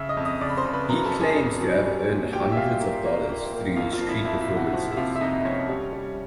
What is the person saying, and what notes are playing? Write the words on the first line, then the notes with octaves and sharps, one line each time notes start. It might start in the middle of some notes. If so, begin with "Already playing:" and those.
He claims to have earned hundreds of dollars through his street performances.
Already playing: C#3 E5 E6
D#5 D#6
F2
D#5 D#6
C#3 D5 D6
B5
C5 C6
C#3
B4 B5
F#3 A#4 A#5
A4 A5
F2
G#4 G#5
F2
F#3
G3
A#2
A#2 G4 G5
E5
A#2 F4 F5
A#3
A#3
A#3
A#3
F2 F4 F5
F4 F5
F3
E4 E5
F2 E4 E5
E4 E5
C3
F#4 F#5
F3 F#4 F#5
E5
C3 F4 F5
E5
F2 D#4 D#5
F3 C#4 C#5
G3
G3